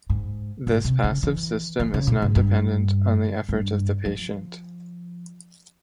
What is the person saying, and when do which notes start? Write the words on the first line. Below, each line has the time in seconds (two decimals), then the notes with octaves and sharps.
This "passive system" is not dependent on the effort of the patient.
0.10 G#2
0.67 G#2
0.85 C3
1.04 C#3
1.23 E3
1.80 E3
1.94 C#3
2.07 A#2
2.22 G#2
2.36 G2
3.49 G2
4.05 F3